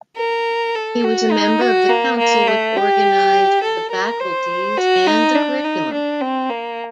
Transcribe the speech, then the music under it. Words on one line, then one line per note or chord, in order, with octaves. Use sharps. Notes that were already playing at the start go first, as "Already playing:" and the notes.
He was a member of the council which organized the faculties and the curriculum.
A#4
A4
F#4
D#4
F#4
A#3
A#3
A3
G4
A4
A#4
C5
F#4
D#4
D4
D#4
D4
C4
A#3